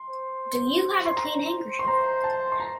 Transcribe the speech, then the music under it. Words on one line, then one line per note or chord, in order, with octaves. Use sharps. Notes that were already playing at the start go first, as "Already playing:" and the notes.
Do you have a clean handkerchief?
Already playing: C6
C5
C6
A#5
C6
C5 A#5
A5
C6
A#5